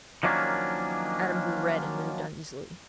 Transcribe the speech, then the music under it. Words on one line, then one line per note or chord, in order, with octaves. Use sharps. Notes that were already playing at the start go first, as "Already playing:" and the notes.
Adam grew red and moved uneasily.
D#3 F3 F#3 A#3 C#4 D4